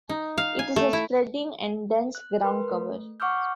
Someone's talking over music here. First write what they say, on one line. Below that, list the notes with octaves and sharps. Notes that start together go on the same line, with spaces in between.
It is a spreading and dense ground cover.
D#4
F5
G#5
A3
E4
F#6
A#4 B4 C6
A3
F#5 C#6 D6 E6 F6 G6